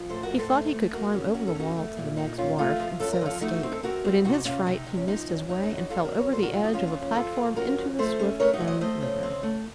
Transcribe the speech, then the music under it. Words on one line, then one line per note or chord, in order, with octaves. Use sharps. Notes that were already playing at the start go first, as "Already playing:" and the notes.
He thought he could climb over the wall to the next wharf and so escape, but in his fright he missed his way and fell over the edge of the platform into the swift-flowing river.
Already playing: F3
A2 A4 C5
F#4 A#4
A2
A4 C5
A3
A3
A#3 F#4 A#4
C#4
C#4 F#4
A4
C#4 D#4 F#4
A3
A#2
A#2 D#4
A#2 C#4 F4
A3 F4 A4
F3
F#2 A4
A#4
F3 F4 A4
A3 D#4 F#4
C4
A4
C4 F#4 A#4
C4
C3 D#4 F#4
C3 C#4 F4
C3 D#4
C3
C#4
F3 D#4
F#2
F#2 D#4
D#4
F#2
D#4 F#4
F#3 F4 A4
F#4 A#4
F#3
A#4 C#5
A#2 A4 C5
F#4 A#4
F#3 F4
D#4 F#4
F3 C#4 F4
C#4 F4
F2
C#4
F2 F4 A4
F3
C#4 F#4 A#4
F2
A3 A4 C5
C#4
A3 A#4 C#5
D#4 F#4
F#3
C5 D#5
A3 C5 D#5
C#3
C4
A3